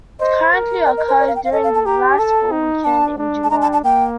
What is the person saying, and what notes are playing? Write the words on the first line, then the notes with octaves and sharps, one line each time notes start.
It currently occurs during the last full weekend in July.
C5 D#5
A#4
D5
D#5
C5
D5
F5
G5
F5
A4 D#5
F5
A5
G4 A#5
A4 A5
D#4
D4 A5
D4
A5
D4 A#5
A5
A5
A#3 G5